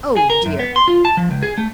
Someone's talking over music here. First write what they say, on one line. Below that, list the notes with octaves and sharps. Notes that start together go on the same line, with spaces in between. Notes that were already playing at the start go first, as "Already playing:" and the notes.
Oh dear!
G#4
A#4
F#2
B3
C6
F4
A5
F3
C#2
G#4
A3